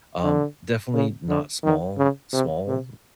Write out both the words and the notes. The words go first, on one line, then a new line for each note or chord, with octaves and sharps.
um, definitely not small- small
D3
C#3
D3
D#3
C#3
C3
C3